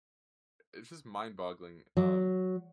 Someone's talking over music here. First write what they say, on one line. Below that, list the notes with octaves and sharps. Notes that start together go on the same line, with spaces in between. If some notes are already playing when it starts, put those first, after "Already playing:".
it's just mind-boggling, um,
F#3